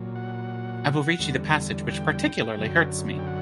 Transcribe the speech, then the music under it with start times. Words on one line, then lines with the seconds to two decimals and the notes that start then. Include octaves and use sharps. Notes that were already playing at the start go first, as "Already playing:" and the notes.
I will read you the passage which particularly hurts me.
Already playing: A#2 F#3
0.15 F#5
1.19 E2 D3 G3
1.88 G5
2.57 F#2 D3 F#3
3.19 G5
3.27 F#5